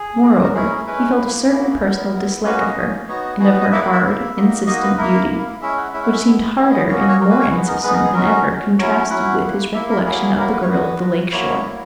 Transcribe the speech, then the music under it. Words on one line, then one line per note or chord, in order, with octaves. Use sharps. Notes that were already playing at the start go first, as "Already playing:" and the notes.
Moreover, he felt a certain personal dislike of her and of her hard, insistent beauty, which seemed harder and more insistent than ever contrasted with his recollection of the girl of the lake shore.
Already playing: G#4
B3 D#4 F#4
A#4
G#3 C#4 E4 G#4
A#4
G#3 C#4 E4 B4
A#3 E4
A#3 E4 G#4
F#4
G#4
B3 E4 A#4
B3 E4
A#3 C#4 F#4 B4
D#5
A#3 C#4 F#4
B3 D#4 F#4 C#5
B3 D#4 F#4 G#4
B4
D#5
A#3 E4 E5
F#5
E5
A#3 E4
A#3 D#4 F#4
A#3 D#4 F#4 D#5
B4
A#3 E4 A#4
A#3 E4
G#3 C#4 E4 E5
F#5
G#3 C#4 E4 E5
F#5
E5
G#3 B3 E4
G#3 B3 E4 C#5
D#5
A#3 C#4 F#4 C#5
D#5
C#5
A#3 C#4 F#4 A#4
B4
C#5
G#3 B3 D#4 B4
A#4
G#3 B3 D#4 B4
A#4
G#4
G#3 C#4 F#4 A#4
G#3 C#4 F#4
F#3 C#4 E4 C#5
F#3 C#4 E4 F#5
A#3 E4
A#3 E4 E5
A#4
F#3 A#3 E4 G#4
G#4
F#3 A#3 E4 A#4
B4
C#5
B3 F#4 B4
B3 F#4
F#3 A#3 E4 C#5
F#3 A#3 E4